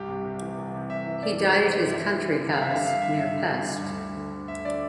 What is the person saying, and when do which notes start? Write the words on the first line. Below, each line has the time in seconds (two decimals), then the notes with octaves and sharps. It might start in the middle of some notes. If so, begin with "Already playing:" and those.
He died at his country house, near Pest.
Already playing: C2 G2 G4
0.09 C3
0.25 C2
0.42 E3
0.58 C2
0.74 C3
0.90 C2 E5
1.07 E3
1.23 G2 D5
1.39 E3 C5
1.56 E3
1.72 G2
1.88 G2 E5
2.05 E3
2.20 E3
2.37 G2
2.53 G2 F5
2.62 E5
2.69 D3 F5
2.86 D3 F5
3.01 G2 E5
3.18 G2 E5
3.35 D3
3.51 D3
3.68 G2
3.84 D2
4.00 D3
4.16 D3
4.32 D2
4.48 D2 E5
4.65 D3 D5